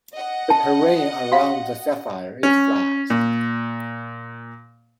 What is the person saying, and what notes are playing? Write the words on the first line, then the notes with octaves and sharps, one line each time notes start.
The terrain around the Sapphire is flat.
D#5 F#5
A5
F#4 F5
C#4
A#2